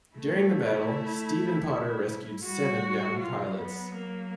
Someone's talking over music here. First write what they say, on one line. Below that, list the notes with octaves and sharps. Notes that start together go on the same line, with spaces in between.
During the battle, "Stephen Potter" rescued seven downed pilots.
A3 E4
G3 F#4
F#3 F4
B3
A#3